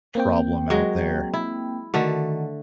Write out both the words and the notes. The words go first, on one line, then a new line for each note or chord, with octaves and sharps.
problem out there.
A#3 C4 G5
F#3 G#3
E4
D3 D#3 A3 D#4 F#4